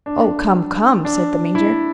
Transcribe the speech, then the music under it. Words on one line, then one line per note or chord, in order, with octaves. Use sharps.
"Oh, come, come!" said the Major.
D4
D4
E4